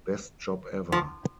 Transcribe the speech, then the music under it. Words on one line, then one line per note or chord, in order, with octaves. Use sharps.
Best job ever!
F3